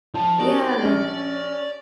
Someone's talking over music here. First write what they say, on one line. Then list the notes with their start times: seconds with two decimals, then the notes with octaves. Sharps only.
Oh, yeah.
0.14 F3 D#4 A5
0.40 D#4 F#4 G4 A#4 D5
0.85 A#1 C#4